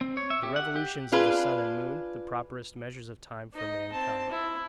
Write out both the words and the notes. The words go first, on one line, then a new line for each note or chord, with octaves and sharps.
The Revolutions of the Sun and Moon, the properest Measures of Time for mankind.
C4
C#5
E5
G4
F#5
G4
D4 F4 G#4 B4
D#4 D#5
C4 A5
E4